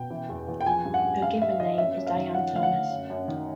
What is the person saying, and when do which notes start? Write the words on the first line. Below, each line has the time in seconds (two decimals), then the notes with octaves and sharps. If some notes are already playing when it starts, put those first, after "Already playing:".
Her given name is Diane Thomas.
Already playing: B2 G5
0.10 E3
0.29 E2
0.48 E2
0.61 G5
0.66 F3 G#5
0.85 G2
0.94 F#5
1.03 G2
1.22 G2 F5
1.41 G2 E5
1.60 D#3 D#5
1.78 F#2 E5
1.98 F#2
2.07 F5
2.16 D#3
2.35 F3 F#5
2.53 D2 F5
2.63 F#5
2.73 D2
2.91 F#2
3.10 F#2
3.28 D#3